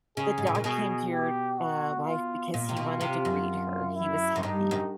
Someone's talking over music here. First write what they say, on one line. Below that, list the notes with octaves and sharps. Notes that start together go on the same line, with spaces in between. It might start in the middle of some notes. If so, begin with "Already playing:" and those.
The dog came to your, uh, wife because he wanted to greet her, he was happy,
C#3 G#4
G#2
A2
A#2
B2 G#4
G4
F#4
F4
A#2 F4
C3
B2
C3
F#2
E4
F#2
G2 D#4
F#2